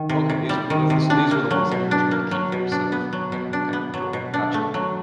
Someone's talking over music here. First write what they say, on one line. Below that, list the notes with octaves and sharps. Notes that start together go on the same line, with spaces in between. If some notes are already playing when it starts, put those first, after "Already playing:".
Okay, these were both of so these were the ones that you were trying to keep for yourself, and, you know, kind of enjoy, gotcha.
Already playing: D#3
C3
C3
G3
D#3
C3
D4
A#3
F#3
B2
D4
A#3
F#3
B2
D4
B3
F#3
B2
D4
B3
F#3
B2
D4
A3
F#3